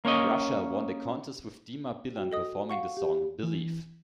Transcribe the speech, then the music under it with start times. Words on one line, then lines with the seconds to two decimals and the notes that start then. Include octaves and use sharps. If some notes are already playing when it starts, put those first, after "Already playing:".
Russia won the contest with Dima Bilan performing the song "Believe".
0.05 A#3 C#4 C#5 D#5
2.16 F#4 G5
2.32 A4 D#5 D#6
2.70 F5 F#5 C#6
2.97 G4
3.43 E3